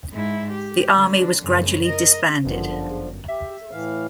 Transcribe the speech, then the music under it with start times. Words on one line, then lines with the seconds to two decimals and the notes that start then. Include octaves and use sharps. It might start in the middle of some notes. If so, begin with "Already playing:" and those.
The army was gradually disbanded.
0.12 G#2 E4
0.51 G4
0.96 D3 D4
1.41 F#2 C#3
1.84 A#4 D#5
2.45 G1 F#2 D3 F3
3.28 G4 E5
3.71 A2 E3 F5